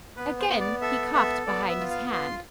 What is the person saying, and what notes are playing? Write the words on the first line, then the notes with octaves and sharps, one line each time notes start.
Again he coughed behind his hand.
B3 B4
C5
B3
D5
A4 E5
B3 E5
B3 D5
E5
F4
F5
F4 C6